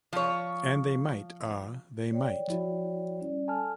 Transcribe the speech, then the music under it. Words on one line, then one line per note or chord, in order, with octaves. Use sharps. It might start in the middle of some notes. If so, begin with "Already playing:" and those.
And they might, ah, they might!
F3 C#5
C#5 D5 G5
F3 E4 F#4
G3 C#4 D5
A4 G#5 A5 F6